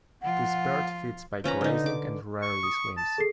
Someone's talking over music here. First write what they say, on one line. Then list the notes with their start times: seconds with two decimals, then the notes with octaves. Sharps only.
This bird feeds by grazing and rarely swims.
0.22 F3 F4 F#5
1.44 F3 C#4 B4 A#5
1.61 D3 D#4
1.86 D6
2.42 C#6
2.63 D#6
2.97 A5
3.18 G#4 A4 C7